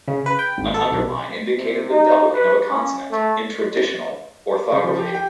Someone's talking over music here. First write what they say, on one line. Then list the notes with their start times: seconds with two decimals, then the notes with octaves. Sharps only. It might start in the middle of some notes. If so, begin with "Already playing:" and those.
An underline indicated the doubling of a consonant in traditional orthography.
0.08 C#3
0.26 B4
0.39 G5
0.58 G#1
0.74 A4
0.91 B1
1.56 C3
1.90 D#4
2.33 B4
2.69 C#4
3.11 A3
4.72 C#3
4.84 F3
4.99 G4
5.15 G5